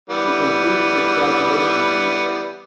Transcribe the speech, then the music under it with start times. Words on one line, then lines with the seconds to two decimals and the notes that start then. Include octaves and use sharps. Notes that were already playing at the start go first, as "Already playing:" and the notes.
He completed his graduation from there.
0.10 E3 G3 B3